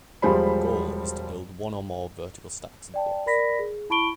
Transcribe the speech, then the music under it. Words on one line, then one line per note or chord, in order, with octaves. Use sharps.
The goal is to build one or more vertical stacks of blocks.
E1 F3 G3 G#3 C5 B5
D5 G5 A5
A#4 D5 B5 A#6 B6
G#4
E4 A5 B5 C#6 D7 G7